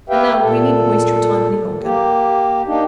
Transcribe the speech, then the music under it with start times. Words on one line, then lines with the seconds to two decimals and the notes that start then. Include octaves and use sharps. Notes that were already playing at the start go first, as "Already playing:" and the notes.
And now, we needn't waste your time any longer.
0.10 G4 B4 E5 F5 G5
0.42 A#2 A4
1.84 A#3 G4
2.67 A#3 D4 D#4 G4